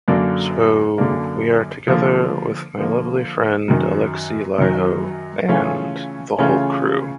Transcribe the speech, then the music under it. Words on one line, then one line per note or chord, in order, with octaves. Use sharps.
So we are together with my lovely friend Alexi Laiho and the whole crew.
F#2 D3 F#3 A#3 D4
F#2 D3 F#3 A#3 D4
D3 F3 A#3
D3 F3 A#3
F#2 D#3 F#3
F#2 D#3 F#3
C#3 E3 A3 C#4 F4
C#3 E3 A3 C#4 F4